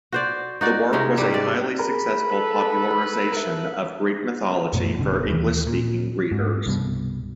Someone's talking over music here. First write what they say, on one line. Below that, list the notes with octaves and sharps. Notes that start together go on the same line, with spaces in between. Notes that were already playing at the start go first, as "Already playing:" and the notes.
The work was a highly successful popularization of Greek mythology for English-speaking readers.
F#4 C5 D5
D#4 F#4 D5
C3 G#3 C#4 D#4
G#2 G3
D5
G#4 A#4 A#5 B5
A4 B4
A#4 E5
F#2 B2 A3
F#1 B2 D3
D#2 E3
A#2
G#2
C2 G2 B2